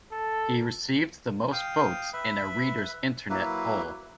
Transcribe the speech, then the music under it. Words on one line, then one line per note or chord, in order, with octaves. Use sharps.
He received the most votes in a readers internet poll.
A4
F5 G5 D#6
B4 E5 B5
F#3 A#3 E4 B4